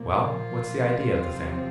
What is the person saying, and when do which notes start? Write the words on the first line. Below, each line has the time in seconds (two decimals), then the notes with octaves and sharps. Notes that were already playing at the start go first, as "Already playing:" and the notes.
"Well, what's the idea of the thing?"
Already playing: A#2 F3 A#3
0.26 F4
1.16 C3 F3 C4